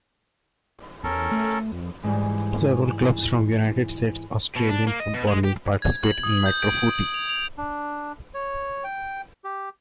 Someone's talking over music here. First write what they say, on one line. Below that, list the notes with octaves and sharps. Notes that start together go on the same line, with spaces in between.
Several clubs from the United States Australian Football League participate in Metro Footy.
E2 C#4 A4 A#4
A3
F2
G#2 E3 G3
B2
D4
A#3
D#5
B2
G#3
G4
G#6
F#7
D#6
G6
D7
F7
F7
D4
C#5
G5
G4